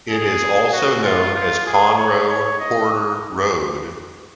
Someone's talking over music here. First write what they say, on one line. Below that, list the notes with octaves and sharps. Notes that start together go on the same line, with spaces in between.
It is also known as Conroe Porter Road.
G#4
F#4
F4
F4
G#4
C#5
C#5
D#5